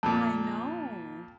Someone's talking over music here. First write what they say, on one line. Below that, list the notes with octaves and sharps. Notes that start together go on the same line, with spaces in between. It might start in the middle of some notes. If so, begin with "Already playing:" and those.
I know.
F2 A#2 A5